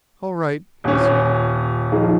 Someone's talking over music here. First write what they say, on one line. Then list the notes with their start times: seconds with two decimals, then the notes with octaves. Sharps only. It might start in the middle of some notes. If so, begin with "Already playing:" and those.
"All right," he said.
0.84 D#1 C#4
1.92 F3 D#4 G#4